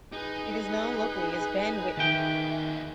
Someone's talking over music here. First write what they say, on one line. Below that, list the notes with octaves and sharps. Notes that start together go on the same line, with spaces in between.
It is known locally as "Ben Whitton".
D#4 G#4 B4
D#2 D#3 E5 G5